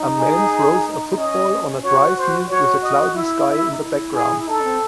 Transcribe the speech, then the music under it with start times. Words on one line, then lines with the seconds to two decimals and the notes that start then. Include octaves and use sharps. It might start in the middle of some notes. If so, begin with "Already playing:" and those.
A man throws a football on a dry field with a cloudy sky in the background.
Already playing: D#4
0.18 G#4
1.17 C#4 D#5
1.83 F#4 C#5
2.17 C5
2.50 F#4 C#5
2.83 D#5
3.16 E4 E5
3.49 E5
3.71 D#4
3.81 E4
4.15 G#4
4.37 E4
4.47 D#4 A4
4.60 C#4
4.64 C4